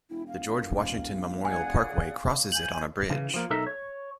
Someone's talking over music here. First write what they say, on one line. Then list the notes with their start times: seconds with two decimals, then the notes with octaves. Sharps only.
The George Washington Memorial Parkway crosses it on a bridge.
0.10 E1 E4
0.28 F5
1.45 G#4 D5 F#5 G#5
2.52 G#5 G6 F#7
3.10 C#3 E3
3.34 F3 A#3
3.50 B1 D#4 A4 A#4 E5
3.67 C#5